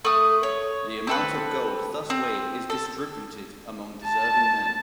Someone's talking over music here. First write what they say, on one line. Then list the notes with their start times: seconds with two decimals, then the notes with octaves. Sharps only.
The amount of gold thus weighed is distributed among deserving men.
0.05 A3 D#6
0.43 C#5
1.07 C4 A4 B4
2.10 C4
2.70 A4
4.07 A5